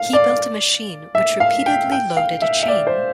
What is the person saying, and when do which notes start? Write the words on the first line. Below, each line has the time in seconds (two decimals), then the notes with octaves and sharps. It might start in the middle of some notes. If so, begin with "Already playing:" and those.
He built a machine which repeatedly loaded a chain.
Already playing: F5
0.13 D5
1.15 E5
1.40 F5
1.66 G5
1.92 G5
2.17 F5
2.42 E5
2.63 E5
2.68 D5
2.87 C5